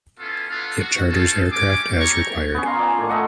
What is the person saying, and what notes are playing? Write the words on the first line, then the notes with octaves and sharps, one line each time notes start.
It charters aircraft as required.
B3 C#4 E4 F4 A4
B3 D4 E4 F4 A4 F5
F#4
C4 F4 G#4 A4
G3 G#3 C#4 G#5 D6
C#4 G4 A4 C#5 A#5 C#6
B3 C#4
F4 A#5 C6
D5 G#5
A2 D#3
A3 D#5 F#5